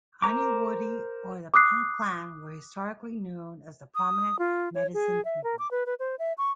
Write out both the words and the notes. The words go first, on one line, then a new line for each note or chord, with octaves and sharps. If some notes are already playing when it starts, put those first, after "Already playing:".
The Aniwodi or the Paint Clan were historically known as a prominent medicine people.
A#4 C5 A#5 D6
D6 D#6 F#6 C7
D#6
F4
C#5
G#4
E5
A#4
D6
B4
B4
C5
E5
C#6